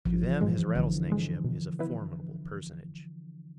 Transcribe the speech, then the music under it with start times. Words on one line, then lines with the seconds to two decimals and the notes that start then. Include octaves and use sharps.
To them his rattlesnake-ship is a formidable personage.
0.06 A1 F3
0.23 E3
0.41 G#2 E3 G#3
0.58 E3
0.75 A1 D3
1.10 G#2 G#3
1.44 B2
1.79 B3 E4 B4